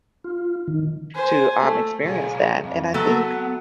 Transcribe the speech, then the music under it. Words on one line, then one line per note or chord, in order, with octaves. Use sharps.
to, um, experience that, and I think
F4
D#3
C5 G#5
A3
B1 G#4
F2
F#3 A3 B3